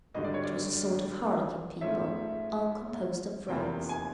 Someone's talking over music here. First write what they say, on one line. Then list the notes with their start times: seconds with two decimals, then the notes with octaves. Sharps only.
It was a sort of harlequin people, all composed of rags.
0.14 G#1 G2 D3 G3 D#5
0.24 D5
0.34 C#5
0.45 D5
1.81 G#2 F3 A3 C#4 E5
3.48 F1 E2 C3 F3 A#3 G5
3.89 G#5